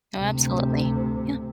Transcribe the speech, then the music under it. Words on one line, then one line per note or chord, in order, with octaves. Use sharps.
Oh, absolutely. Yeah.
D2 C3